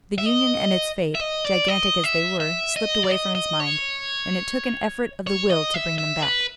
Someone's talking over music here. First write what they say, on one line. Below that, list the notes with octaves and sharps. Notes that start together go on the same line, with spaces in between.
The Union and its fate, gigantic as they were, slipped away from his mind, and it took an effort of the will to bring them back.
E5
D#5
E5
D#5
D5
D#5
E5
E5
D#5
D5
D#5
D#5
C#5
C#5
D#5
E5
E5
B4